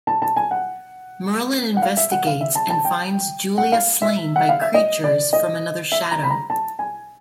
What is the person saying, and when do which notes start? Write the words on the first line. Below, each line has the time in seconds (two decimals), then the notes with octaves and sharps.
Merlin investigates and finds Julia slain by creatures from another shadow.
0.07 A5
0.22 A5
0.36 G#5
0.51 F#5
1.77 F#5
1.82 F5
1.97 E5
2.12 F#5
2.27 F5
2.41 E5
2.55 A5
2.70 A5
2.85 G5
3.58 F#5
3.72 F5
4.02 E5
4.36 F#5
4.49 F5
4.61 E5
4.74 D#5
5.04 D5
5.33 D#5
5.92 E5
6.11 A#5
6.23 B5
6.30 A#5
6.50 A5
6.79 G#5